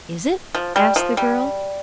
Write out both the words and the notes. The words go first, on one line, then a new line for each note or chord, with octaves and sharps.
"Is it?" asked the girl.
F3
G3
F3
G3